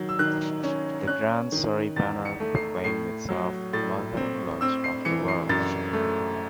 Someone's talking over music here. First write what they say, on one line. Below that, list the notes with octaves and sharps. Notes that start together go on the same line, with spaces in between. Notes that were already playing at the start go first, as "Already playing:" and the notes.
The 'Grand Surrey Banner' proclaimed itself "Mother Lodge of the World".
Already playing: D#3 F#3
E6
D#3 F#6
C#4
C#4 F#6
D#3
E2 A6
C#7
A3
C7
A2 C7
F#3
A2 A6
C4
C4 E6
C7
E3 C#7
C7
F#2 A6
A3